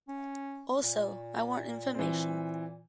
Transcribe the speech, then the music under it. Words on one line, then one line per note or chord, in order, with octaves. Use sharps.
Also, I want information.
C#4
A#2
A#2 E3 C4